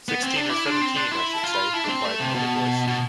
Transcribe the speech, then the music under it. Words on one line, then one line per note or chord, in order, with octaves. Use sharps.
"Sixteen or seventeen, I should say," replied another voice.
B3
C4
D4
E4 D6
D4 C6
C4
C6
D4
E4 C6
A5
F4
B5
E4 A5
D4
C4
A3
C3
B2
B2